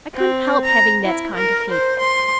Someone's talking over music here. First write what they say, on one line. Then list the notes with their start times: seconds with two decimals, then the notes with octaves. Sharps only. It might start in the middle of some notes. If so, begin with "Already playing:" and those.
I couldn't help having that kind of feet.
0.15 C4
0.64 A#5
1.05 E4
1.35 A#4
1.71 C5
2.00 C6